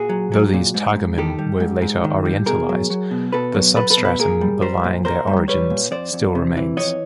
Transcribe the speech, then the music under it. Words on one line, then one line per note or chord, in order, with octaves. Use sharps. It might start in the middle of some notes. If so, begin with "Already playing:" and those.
Though these "targumim" were later "orientalised", the substratum belying their origins still remains.
Already playing: A#2 F#4 G#4
F#3
F#3
A#2
G#2
G#2
D#3 G4 A4
G3
G#2
G#2
D#3
G3
B2 G#4 A#4
F#3
F#3
B2
B2 A4 B4
F#3
F#3 A4 B4
A4 B4
B2
A4 B4
A#2 G#4 A#4
G3
G3 A#4 C5
A#2
A#2 A#4 C5
G3
G3 B4 C#5
A#2
F2 C5 D5
F2
C3
E3
F2 C#5 D#5